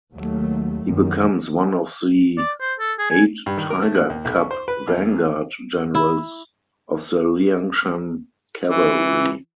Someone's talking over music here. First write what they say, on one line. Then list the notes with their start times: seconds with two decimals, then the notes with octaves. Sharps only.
He becomes one of the Eight Tiger Cub Vanguard Generals of the Liangshan cavalry.
0.13 D#2 F#3 A3
0.85 F#2 D#3
2.38 D5
2.60 C5
2.79 A4
2.98 G#4
3.10 G#5
3.46 G2
3.57 D#3
3.70 A#4
3.82 A3
3.95 F#6
4.10 D#2
4.25 B1
4.36 C#6
4.51 C5
4.68 B4
4.88 E2
5.95 E4
8.68 E3